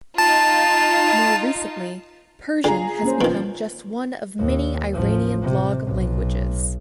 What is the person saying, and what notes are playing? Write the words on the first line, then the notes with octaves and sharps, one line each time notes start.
More recently, Persian has become just one of many Iranian blog languages.
D#4 F4 A5
D3 F4 G#4 A#5
A#3 C#4 C5
B2 D#3 F3
D#2
A1 F3
C3
B1